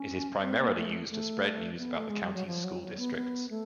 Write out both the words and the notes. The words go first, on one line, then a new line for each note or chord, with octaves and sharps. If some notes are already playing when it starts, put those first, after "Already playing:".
It is primarily used to spread news about the county's school districts.
Already playing: C#4
C4
A#3
A3
G#3
A3
A3
B3
A3
G#3
G3
F#3
F3
F#3
F#3
B3
B3
A3